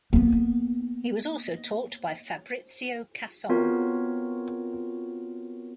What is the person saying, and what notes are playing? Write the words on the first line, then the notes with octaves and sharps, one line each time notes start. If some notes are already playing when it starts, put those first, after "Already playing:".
He was also taught by Fabrizio Cassol.
A#3 B3
B3 C4 F4 F#4 A#4 C#5